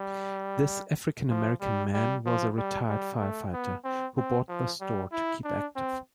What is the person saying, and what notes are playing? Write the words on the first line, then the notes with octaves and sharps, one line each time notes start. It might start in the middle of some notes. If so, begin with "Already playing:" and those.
This African-American man was a retired firefighter who bought the store to keep active.
Already playing: G3
F3
G3
G3
F3
G3
G3
A3
B3
C4
C4
F3
G3
E4
D4
C4